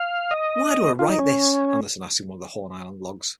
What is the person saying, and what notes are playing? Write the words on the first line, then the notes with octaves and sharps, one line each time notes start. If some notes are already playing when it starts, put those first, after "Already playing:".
"Why do I write this?" Anderson asks in one of the Horn Island logs.
Already playing: F5
D#5
F4
D#4
C#4